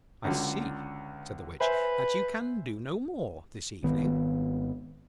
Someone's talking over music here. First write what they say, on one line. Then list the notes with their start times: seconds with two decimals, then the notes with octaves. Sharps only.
'I see,' said the Witch, 'that you can do no more this evening.
0.25 C#2 D3 F#3
1.61 B4 C5 E5 G#5
3.83 G#1 G#2 D#3 B3